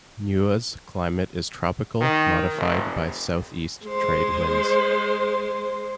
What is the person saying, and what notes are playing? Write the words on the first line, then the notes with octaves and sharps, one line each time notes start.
Niue's climate is tropical, modified by south-east trade winds.
D#3
F1
G#3 C5